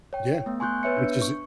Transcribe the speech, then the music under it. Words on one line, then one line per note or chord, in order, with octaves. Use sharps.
Yeah. W which is it
C#5 G5
A3 B3
G#5 C6 C#6 F#6 G6
B3 B4 C#5 E5 C#7
D4 G6
C#6